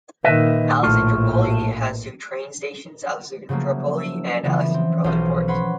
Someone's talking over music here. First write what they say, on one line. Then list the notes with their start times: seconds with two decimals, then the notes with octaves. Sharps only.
Alexandroupoli has two train stations: Alexandroupoli and Alexandroupoli Port.
0.24 A#2 D#3 B4 D#5 E5
0.83 A#1 A2 A3 F4
3.49 C#3 F3 F#3 A3 A#3
3.98 E6
4.44 C#3 E3 F3 B3
4.74 C4
5.04 B1 B2 F3 C#4 C5 F5
5.48 B4 C#5 F#5 B5 C6